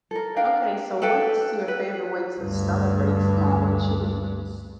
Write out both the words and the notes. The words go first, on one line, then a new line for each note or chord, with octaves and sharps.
Okay. So what's your favorite way to celebrate small achievements?
A4 A#4
D4 A#4 F5 G5
A4 B4 F5 G5
B4
D2 G2